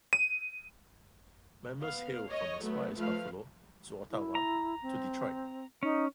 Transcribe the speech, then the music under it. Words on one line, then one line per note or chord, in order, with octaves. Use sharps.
Members hail from as far as Buffalo, to Ottawa, to Detroit.
D#7
B3 F5
C#5 D#5
F#3 A3 B3
F3 A3 B4 F5
E4
A#5
C4
C#4 D#4